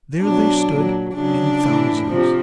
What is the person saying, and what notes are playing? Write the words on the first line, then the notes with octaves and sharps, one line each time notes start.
There they stood in thousands.
B2 F#3 D4
A#2 F#3
C#3 F#3 D4
A2 E3
C3 F3